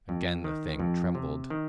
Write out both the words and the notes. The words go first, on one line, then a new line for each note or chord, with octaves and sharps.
Again the Thing trembled.
F2
D#3
F2
C3
D#3